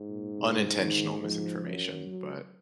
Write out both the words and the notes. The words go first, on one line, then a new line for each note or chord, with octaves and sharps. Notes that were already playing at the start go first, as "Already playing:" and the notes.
unintentional misinformation, but
Already playing: G#2
A#2
C3
D#3
G#2 F3
F#2
F#3